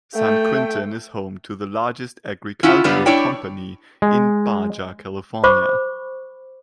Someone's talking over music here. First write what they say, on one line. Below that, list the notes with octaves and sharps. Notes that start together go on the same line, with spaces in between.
San Quintin is home to the largest agricultural company in Baja California.
A3 G5
C#4 E4 F4 F#5
F#2 C#3 G3 B3 D4
D4 E4 C#5 D5 G5
G#3
C5 B5 C#6 D6